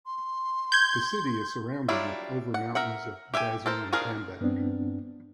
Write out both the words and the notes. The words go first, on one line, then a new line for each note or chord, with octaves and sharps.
The city, is surrounded with the over mountains of Bazum and Pambak.
C6
G6 G#6
F#3 G3 D4 E4 F4
F#5
A#4 E5 F#5
G4 E5 G5 G#5
A4 A#4 C5
F3 D4 G#4 A#4 F5
G2 B3 C4 D4